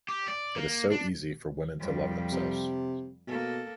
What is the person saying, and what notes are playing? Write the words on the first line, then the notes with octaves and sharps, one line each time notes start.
It is so easy for women to love themselves.
G4
D5
A#3
D4
F2 G3
C3
B2 A#3 A4